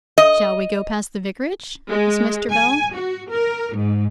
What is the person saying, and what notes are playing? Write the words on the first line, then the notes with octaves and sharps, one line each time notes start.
'Shall we go past the vicarage?' asked Mr. Bell.
D#5
G#3
G#5
F#4
A#4
G#2